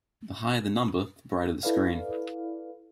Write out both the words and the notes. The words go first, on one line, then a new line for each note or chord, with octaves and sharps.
The higher the number, the brighter the screen.
E4 A4 B4 D5 F5